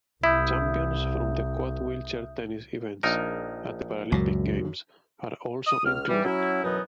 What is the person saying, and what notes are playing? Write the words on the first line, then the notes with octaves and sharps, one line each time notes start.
Champions from the quad wheelchair tennis events at the Paralympic Games are also included.
C2 E4 E5 D#6 G6
A#1 D#4 A#4
C#2 F#2 A#2
D#6
C#2 F6
E3 G3
F#3 C#4 E4
F#2 B2 E3 F#3 B3 D#4